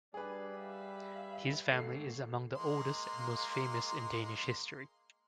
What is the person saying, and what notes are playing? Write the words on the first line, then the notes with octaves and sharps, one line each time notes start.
His family is among the oldest and most famous in Danish history.
G3 D4 G#4 B4
E5 F5 B5
G#1 A3 C7
G#3 A#3 C6